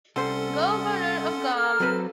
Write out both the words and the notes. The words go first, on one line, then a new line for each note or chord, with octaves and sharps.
Governor of Guam.
C2 C#4 A4 C5 F#5 C6
A#4 F6
F#3 C4 B4